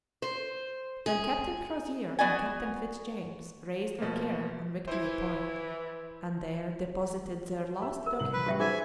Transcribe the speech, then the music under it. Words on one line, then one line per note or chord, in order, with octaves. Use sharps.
Then Captain Crozier and Captain Fitz-James raised a cairn on Victory Point, and there deposited their last document.
C5
G#4
B3 F#4 D5 D#5 G#5
B2 F3 A3 A#3
E3 E4 C5
G4 E5 E6
A#4
C2 F#7
B4
A1 G3 G4 E5 G5 C#6
D#4 F#4 G#4 C5 E5 G#5